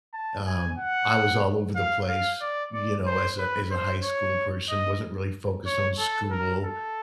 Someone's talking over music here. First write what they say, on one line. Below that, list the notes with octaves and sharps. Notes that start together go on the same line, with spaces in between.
um, I was all over the place, you know, as a as a high school person, wasn't really focused on school,
A5
G#5
F#5
F5
F5
D5
D5
C5
B4
C5
C#5
D#5
C#5
A4
A#4
A4